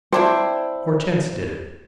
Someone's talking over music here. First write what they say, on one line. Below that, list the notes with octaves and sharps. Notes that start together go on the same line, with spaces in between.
"Hortense did it."
C4 D4 E4 C5